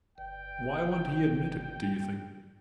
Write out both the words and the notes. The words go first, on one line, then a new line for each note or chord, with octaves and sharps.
Why won't he admit it, do you think?
G1 G5